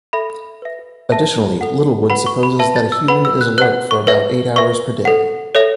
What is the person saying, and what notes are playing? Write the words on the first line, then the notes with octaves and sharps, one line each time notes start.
Additionally, Littlewood supposes that a human is alert for about eight hours per day.
A4 E5 B5
B4 E5
B4 E5 A5
A4 F#5
B4 F#5 B5
C#6
B5
B4 E5 A5
A6
E6
B4 F#5 B5
E6
F#6
B4 F#5 F#6
C#6
B4 E5
B4 E5 C#6
A4 F#5
A4 C#5 E5